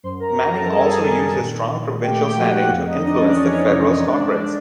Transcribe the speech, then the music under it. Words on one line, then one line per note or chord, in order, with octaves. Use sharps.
Manning also used his strong provincial standing to influence the federal Socreds.
F#2 C5 C6
A#4 A#5
F#2 A#4 A#5
A4 A5
G3 G#4 G#5
D#3
A#2
A#2
A3 G4 G5
F3 F#4 F#5
F2 F4 F5
D#4 D#5
F2 D4 D5
C#4 C#5
E3
C3
G#2 D4 D5